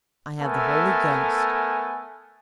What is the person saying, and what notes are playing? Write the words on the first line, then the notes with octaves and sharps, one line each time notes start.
I have the Holy Ghost.
A3 B3 A4 A#4 G#5